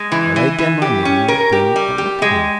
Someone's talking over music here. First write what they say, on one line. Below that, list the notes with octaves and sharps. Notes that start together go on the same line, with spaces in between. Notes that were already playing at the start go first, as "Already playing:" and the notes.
I laid down my knitting then and looked at him.
Already playing: G#3
E3
E3
E3
G4
C#4
A#4
G4
G3
G4
G#3